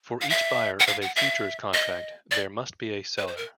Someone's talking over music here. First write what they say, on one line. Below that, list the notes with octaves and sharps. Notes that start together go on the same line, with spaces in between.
For each buyer of a futures contract there must be a seller.
F5
E5
F#5
F5
F#5
E5
D#5
D5
B4
C5
A#4